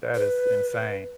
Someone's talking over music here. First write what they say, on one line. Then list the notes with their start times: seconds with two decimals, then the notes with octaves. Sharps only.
That is insane.
0.15 B4